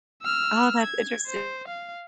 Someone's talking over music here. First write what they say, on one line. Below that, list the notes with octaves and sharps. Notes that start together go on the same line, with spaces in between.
Oh, that's interesting.
E6 F6
G#6
C5
F5